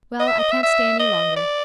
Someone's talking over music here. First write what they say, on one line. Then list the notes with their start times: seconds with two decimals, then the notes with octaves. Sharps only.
'Well, I can't stay any longer.'
0.20 D#5
0.28 E5
0.39 D#5
0.51 E5
0.63 E5
1.00 D#5
1.36 D5